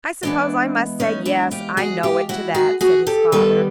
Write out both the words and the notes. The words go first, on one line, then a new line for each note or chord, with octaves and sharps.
"I suppose I must say 'yes, I know it' to that," said his father.
E3 G#3 B3 D4
C#4 D#4
D4 E4
F4 G4
F#4 G#4
F4 G4
E4 F#4
F#4 G#4
F#4 G#4
G4 A4
D#3 G3 B3 A4 B4